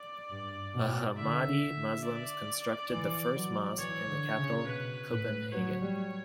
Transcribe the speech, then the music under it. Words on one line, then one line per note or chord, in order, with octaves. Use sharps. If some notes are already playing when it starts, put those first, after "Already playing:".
Ahmadi Muslims constructed the first mosque in the capital, Copenhagen.
Already playing: D5
G2
B2
D3 E5
D5
E3
F#3
E3 C#5
D3
C#3
B2 B4
A2
F#3 C#5
G3